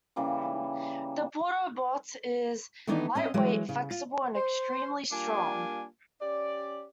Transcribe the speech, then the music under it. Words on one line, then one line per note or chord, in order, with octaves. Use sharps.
The Porta-Bote is lightweight, flexible and extremely strong.
C#3 E3 G3 A#3
D#3 E3 A3 B3 D4 D#4
C4 C#4 D#5
E3 F#3 G#3
C#3
F4
C5
G3 A#3 D4 F4 G#5
C#4 G4 D5